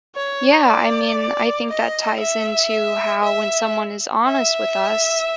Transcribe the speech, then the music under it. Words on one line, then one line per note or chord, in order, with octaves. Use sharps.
Yeah, I mean I think that ties into how when someone is honest with us,
C#5
D5
D#5
E5
E5
E5